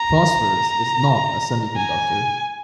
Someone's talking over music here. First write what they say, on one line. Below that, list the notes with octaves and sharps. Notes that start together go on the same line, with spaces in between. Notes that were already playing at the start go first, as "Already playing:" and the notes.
Phosphorus is not a semiconductor.
Already playing: A#5
G#5